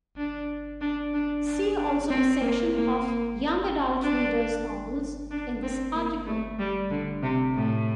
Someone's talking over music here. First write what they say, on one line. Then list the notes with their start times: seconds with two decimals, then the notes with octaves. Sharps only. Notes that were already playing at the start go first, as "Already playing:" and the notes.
See also the section of "Young Adult Readers Novels" in this article.
0.17 D4
0.81 D4
1.13 D4
1.46 D4
1.77 D4
2.10 C4
2.41 A#3
2.74 A#3
4.02 D4
5.31 D4
5.62 C4
5.94 A#3
6.26 A3
6.59 G3
6.90 D3
7.23 C3
7.55 A2